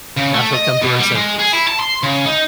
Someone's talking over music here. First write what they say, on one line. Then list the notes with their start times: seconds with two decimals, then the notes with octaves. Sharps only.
Now she'll come to her senses,
0.17 C#3
0.34 A3
0.53 D#5
0.82 B2
0.99 G3
1.15 G#3
1.39 G#4
1.53 E4
1.68 A5
1.79 C6
2.03 C#3
2.26 D#4